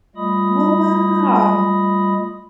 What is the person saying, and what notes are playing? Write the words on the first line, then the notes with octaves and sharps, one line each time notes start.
Oh, wow.
G3 A3 F4 D#5 B5 D#6